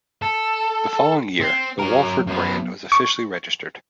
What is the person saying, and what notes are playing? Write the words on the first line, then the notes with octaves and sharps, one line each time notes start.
The following year, the Wolford brand was officially registered.
A4
C4
F#3 A#4
F#2 B3
C#6